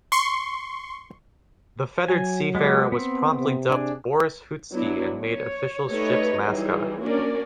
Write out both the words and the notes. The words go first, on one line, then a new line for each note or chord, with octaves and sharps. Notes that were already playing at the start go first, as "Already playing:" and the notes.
The feathered seafarer was promptly dubbed Boris Hootski and made official ship's mascot.
C6 C#6
F#3 G#5
G#3 B3 G4
B3 C4
C3
D4 G#4
F#3 B3 D4 E4
C#5
G3 A3 D#4 B4 C#5 D#5
E3 F#3 G3 D#4 G#4
A#3 C#4 D4 F#4 A#4 D5